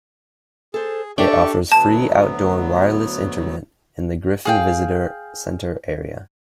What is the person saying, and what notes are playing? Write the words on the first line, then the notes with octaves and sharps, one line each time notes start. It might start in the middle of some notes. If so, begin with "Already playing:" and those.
It offers free outdoor wireless internet in the Griffin Visitor Center area.
G#4 A4 C5
D4 G4 A4 E5 G5 C#6
D2 F#3 B3 A5
G#4 F5 G5